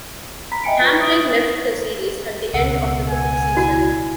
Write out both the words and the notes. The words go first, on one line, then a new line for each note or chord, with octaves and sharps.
Hamlin left the series at the end of the fifth season.
A#5 B5 B6
D#5 E5 G5 G#5 C#7 D7
F4 B4 C#6
D#6 A6 D7
C#2 B2 F#5 E6
G#5
E4 F#4